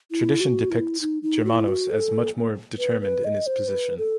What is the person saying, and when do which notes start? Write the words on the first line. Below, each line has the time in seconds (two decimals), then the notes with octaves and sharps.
Tradition depicts Germanos as much more determined in his position.
0.11 E4
0.40 F#4
0.70 E4
1.01 D#4
1.23 D#4
1.45 F#4
1.50 E4
1.68 F#4
1.90 A4
2.79 B4
3.01 B4
3.24 D#5
3.46 C5
3.68 B4
3.98 A4